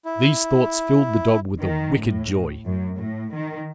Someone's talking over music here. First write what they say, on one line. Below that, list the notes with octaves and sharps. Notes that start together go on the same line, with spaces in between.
These thoughts filled the dog with a wicked joy.
E4
D#3
A2
F#2
A2
D#3